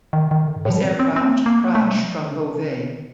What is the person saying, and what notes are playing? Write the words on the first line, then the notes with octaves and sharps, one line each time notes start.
His aircraft crashed from Beauvais.
D#3
D#3
D3
G2
A2
F3
G3
C4
C4
C4
A#3
A3
A#3
A3
G3
F3
D#3
D3
C3
D3
D#3